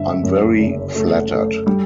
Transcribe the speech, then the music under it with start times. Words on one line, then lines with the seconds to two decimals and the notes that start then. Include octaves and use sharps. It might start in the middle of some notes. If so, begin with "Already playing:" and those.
I'm very flattered.
Already playing: G1 G2 E5
0.23 F#2
0.59 F#1
0.95 A3
1.31 A3
1.67 G3